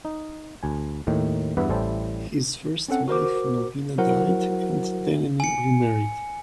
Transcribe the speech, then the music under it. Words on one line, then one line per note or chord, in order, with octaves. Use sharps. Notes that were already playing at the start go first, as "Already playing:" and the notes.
His first wife Melvina died, and Denneny remarried.
D#4
D2 G#5
D#2 A2 D#3
E2 G2 B3 B4 E5 F#5
A1 A2 G3 E4 C5 A5
C4 C#4 A4 F#5
F#4 A#4 C5 D6
F#3 E4 F#4 A#4 C5 F#5
G#5 C#7